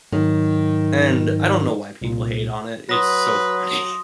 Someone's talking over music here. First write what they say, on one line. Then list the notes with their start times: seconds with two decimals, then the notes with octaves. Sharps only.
and I don't know why people hate on it, it's so funny.
0.12 G#2 D#3 F#3
2.01 C2 A#2
2.89 F#3 B4 C6 D#6 A#6